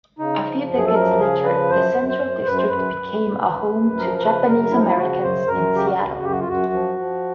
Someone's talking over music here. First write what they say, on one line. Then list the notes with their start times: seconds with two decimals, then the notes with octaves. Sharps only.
A few decades later, the Central District became a home to Japanese-Americans in Seattle.
0.19 C#3 D#4
0.45 F3
0.69 F#2
0.77 G#4
0.87 A4
0.94 F3 A#4
1.20 C#3 G#4
1.44 F3 B4
1.69 F#2 C5
1.95 F#2
2.08 C5
2.21 F#2
2.46 F#2 B4
2.58 C5
2.69 F#2 B4
2.95 F#2
3.21 F#2
3.46 F#2
3.72 F#2
3.97 F3 A#4
4.18 A#4
4.22 C#3 B4
4.47 F#2 A#4
4.72 F3 E4
4.80 D#4
4.87 E4
4.98 C#3 F#4
5.22 F#2 C5
5.47 F#2 A#4
5.73 C#3 G4
5.86 F#4
5.98 C#3
6.22 F#2 G4
6.31 F#4
6.40 F4
6.49 F#2 F#4
6.73 F3
6.99 F3